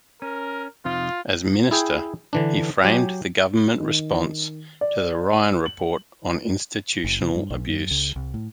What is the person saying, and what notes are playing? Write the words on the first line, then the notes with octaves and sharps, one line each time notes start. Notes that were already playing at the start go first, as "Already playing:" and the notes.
As Minister, he framed the Government response to the Ryan Report on Institutional Abuse.
C#4 A#4
F2 C3 D#4 F4
E4 G#4 G5
D3 E3 D4
F#3 G4 G#5
D#3
D5
F#7
F#1
C3
G2
B1
F#2
C#2
C2
A2